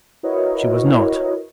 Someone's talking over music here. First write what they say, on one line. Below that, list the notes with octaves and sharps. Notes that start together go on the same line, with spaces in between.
She was not.
E4 F#4 A#4 B4 C#5 D#5